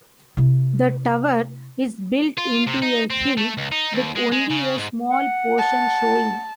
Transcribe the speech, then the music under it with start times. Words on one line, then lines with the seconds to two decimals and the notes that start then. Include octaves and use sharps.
The "tower" is built into a hill with only a small portion showing.
0.37 C3 E4
2.38 F4
2.67 C3
2.82 D#4
3.10 C4
3.37 A3
3.57 C#2
3.72 D#4
3.93 D#2
4.15 G#3
4.32 G#3
4.50 C#3
4.77 G#2
5.09 F#5
5.58 A5